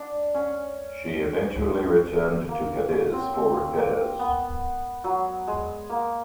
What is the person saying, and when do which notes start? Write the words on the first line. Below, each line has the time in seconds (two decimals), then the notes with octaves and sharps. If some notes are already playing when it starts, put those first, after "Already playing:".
She eventually returned to Cadiz for repairs.
Already playing: D4
0.34 C#4
2.49 A#3
2.92 C#4
3.12 C4
3.34 C4
3.76 A#3
4.19 B3
5.04 F#3
5.48 G#3
5.90 A#3